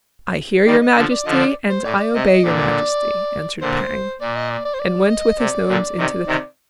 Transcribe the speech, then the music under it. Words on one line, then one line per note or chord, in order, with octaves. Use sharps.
"I hear Your Majesty, and I obey Your Majesty," answered Pang, and went with his nomes into the passage.
D#3 G3 D5
D#5
D3 F3
D5
D3 F3 D#5
C5
D5
C5
A2 D5
C3 D#5
A#2 D3 D5
A#2 D3 C5
A#2 D5
D#5
D5
D5
C5
D5
D#5
C3 D5
A#2 D3
C3 D#3
C3 D#3